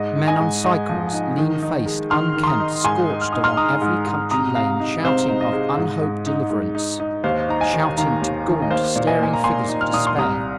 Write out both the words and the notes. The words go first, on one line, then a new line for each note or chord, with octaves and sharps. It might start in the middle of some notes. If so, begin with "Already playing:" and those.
Men on cycles, lean-faced, unkempt, scorched along every country lane shouting of unhoped deliverance, shouting to gaunt, staring figures of despair.
Already playing: G#2 D#5
D#4
D#5 G#5
G#2
G#2 D#5
F3
D#4
D#3
D#4
G#3
D#3 C6 F6
D#3
C6
A#5 D#6
D#4
G#2 G#5 C6
D#4
F6
D#4 D#6
C6 F6
D#4 A#5 D#6
G#2
G#2
C3 A#5 D#6
C3 F5 A#5
D#4
C3 C5 F5
D#4
D#5
G#3
G#2
G#2
D#4
G#2
D#4
D#4
D#2 C5 F5
D#4 A#5
D#5 G#5
D#3
D#3 F5 A#5
D#2
D#3
D#5
A#3 C5 F5
A#2
D#5 G#5
A#3 G#5
A#5
A#3 G#5 C6
D#4
F6
A#2 D#6
C6
C2 A#5 D#6